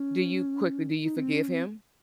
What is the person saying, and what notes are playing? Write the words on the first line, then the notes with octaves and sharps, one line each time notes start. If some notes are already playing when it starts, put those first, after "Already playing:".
Do you- quickly- do you forgive him?
Already playing: C#4
D#4
C4
C#4
C4